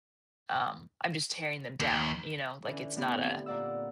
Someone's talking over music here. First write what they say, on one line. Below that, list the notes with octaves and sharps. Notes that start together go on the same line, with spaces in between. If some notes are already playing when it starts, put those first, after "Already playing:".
Um, I'm just tearing them down," you know? Like, it's not a
D#2
D3 E3 C#4
A2 E3 B3 G4
D3 C4
A#2 A#3 D5 F#5 E6